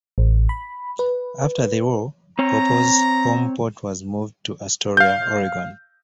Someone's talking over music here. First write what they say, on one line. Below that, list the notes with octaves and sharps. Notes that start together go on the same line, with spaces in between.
After the war "Papaw's" home port was moved to Astoria, Oregon.
A1
B5
B4
C4 C#5 A#5
F5 G6